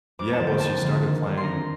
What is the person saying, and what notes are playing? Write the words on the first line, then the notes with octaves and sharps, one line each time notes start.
Yeah, well, she started playing
F2 D6
A5
D3 F3 A#3
G5
F2 A5
D3 F3 A#3
D#3
G3 A#3 D4
C6
D#3 A#5